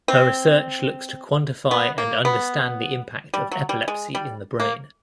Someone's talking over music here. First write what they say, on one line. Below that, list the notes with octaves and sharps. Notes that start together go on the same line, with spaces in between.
Her research looks to quantify and understand the impact of epilepsy in the brain.
C4
B3
A#3
B3
G3
F#3
G3
G#3
G3
A#3